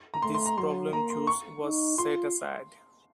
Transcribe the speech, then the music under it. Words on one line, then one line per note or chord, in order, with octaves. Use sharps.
This problem juice was set aside.
A#5
A3 C6
C6
A#5
F#3 C6
A#3 A#5
C6
C#6
D#4
F4 C6